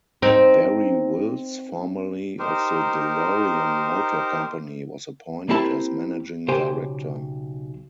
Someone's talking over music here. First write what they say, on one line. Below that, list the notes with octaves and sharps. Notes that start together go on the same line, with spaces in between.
Barrie Wills, formerly of the DeLorean Motor Company, was appointed as managing director.
C4 D#4
D#4 G4 A#4 C5
A#3 C4 E4 G4 A5 B5
B1 C#3 G4 C5 G#5